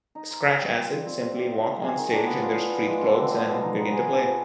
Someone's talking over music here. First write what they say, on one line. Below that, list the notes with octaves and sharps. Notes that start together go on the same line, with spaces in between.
Scratch Acid simply walk on stage in their street clothes and begin to play.
D#4
C5
G4
G3
F4
C4
C4
C5
G4
F4
C5
G#4
D#3
D4
B3
F4
B3
B4
G#3
D3
C4
B3
B2
D#4
B3
G#4
D4
F3